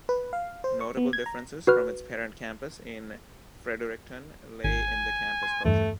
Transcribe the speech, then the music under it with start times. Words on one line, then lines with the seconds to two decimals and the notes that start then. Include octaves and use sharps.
Notable differences from its parent campus in Fredericton lay in the campus culture.
0.09 B4
0.33 F5
0.64 C5
0.81 C#6
0.97 B3
1.13 G#6
1.26 A#5
1.67 F#4 B4 F6
4.64 G#1 G#5
5.43 C6
5.65 E2 G2 A3